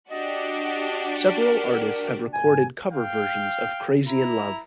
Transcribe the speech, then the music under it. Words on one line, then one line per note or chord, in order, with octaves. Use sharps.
Several artists have recorded cover versions of "Crazy in Love".
D4 F#4 G4 D#5
A#4
G#1 G#5
F5 G5
E4 A#5